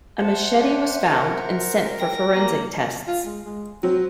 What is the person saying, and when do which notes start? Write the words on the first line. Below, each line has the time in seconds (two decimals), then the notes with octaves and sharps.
A machete was found and sent for forensic tests.
0.21 C5 E5 F#5 A5
0.57 D4
1.02 A#4
2.00 G5 A#6
2.34 A#3 A#5
3.07 F4
3.25 G#3
3.45 G#3
3.83 F#3 C4